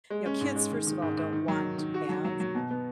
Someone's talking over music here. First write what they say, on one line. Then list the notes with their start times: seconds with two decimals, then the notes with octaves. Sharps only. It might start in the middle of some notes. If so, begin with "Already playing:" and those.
You know, kids, first of all, don't want to have
0.10 G#3
0.26 C#4
0.41 G#2
0.56 G#3
0.72 D#3
0.87 D#3
1.02 G#2
1.17 G#2
1.33 D#3
1.48 F#3
1.63 D#3
1.78 D#3
1.94 F#4
2.09 F#3
2.25 F#3
2.40 F#3
2.55 B2
2.71 B3